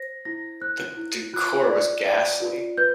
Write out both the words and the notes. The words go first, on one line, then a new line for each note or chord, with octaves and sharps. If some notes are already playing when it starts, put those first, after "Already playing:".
The decor was ghastly.
Already playing: C5 A#6
E4 A#6
C5 F#6
E4
F4 F#6
D5
D5
F4
B4 G6